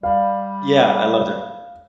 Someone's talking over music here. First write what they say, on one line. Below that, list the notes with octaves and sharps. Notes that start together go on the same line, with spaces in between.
yeah, I loved it.
G3 F5